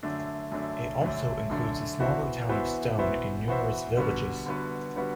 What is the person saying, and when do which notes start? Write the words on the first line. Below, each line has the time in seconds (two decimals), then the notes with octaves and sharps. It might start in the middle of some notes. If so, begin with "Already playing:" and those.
It also includes the smaller town of Stone and numerous villages.
0.03 F#2 D3 A3 D4
0.52 F#2 D3 A3 D4
1.01 F#2 D3 A3 D4
1.50 F#2 D3 A3 D4
2.00 E3 B3 F#4 C5 E5
2.49 E3 B3 F#4 C5 E5
2.98 E3 B3 F#4 C5 E5
3.48 E3 B3 F#4 C5 E5
3.97 D3 G3 B3 F#4 B4
4.46 D3 G3 B3 F#4 B4
4.95 D3 G3 B3 F#4 B4